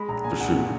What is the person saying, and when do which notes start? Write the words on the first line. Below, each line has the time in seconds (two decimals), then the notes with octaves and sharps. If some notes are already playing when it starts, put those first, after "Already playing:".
For sure.
Already playing: G#3 B5
0.09 A#1 A#5
0.24 A#2 G#5
0.40 A#1 F#5
0.57 A#2